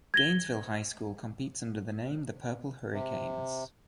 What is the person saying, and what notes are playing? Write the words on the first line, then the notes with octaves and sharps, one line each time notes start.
Gainesville High School competes under the name The Purple Hurricanes.
G#6 A#6 G7
C3